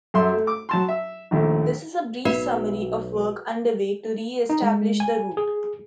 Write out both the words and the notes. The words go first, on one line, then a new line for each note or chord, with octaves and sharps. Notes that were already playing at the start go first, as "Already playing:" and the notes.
This is a brief summary of work underway to reestablish the route.
F#2 A4 E5 C6
A3
D6
F#3 A5 C6
E5
A#1 D#2 A3
B1 F#4 B4 E5
D#4
G#3
G#5
G#4